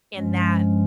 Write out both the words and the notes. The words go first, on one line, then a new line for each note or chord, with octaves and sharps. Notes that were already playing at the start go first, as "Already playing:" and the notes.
and that
G2 F3 G#3 C#4